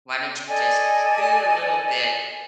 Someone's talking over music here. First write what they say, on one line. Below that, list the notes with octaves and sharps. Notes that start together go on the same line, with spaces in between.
Why don't you just scoot a little bit
A4 D5 D#5 G#5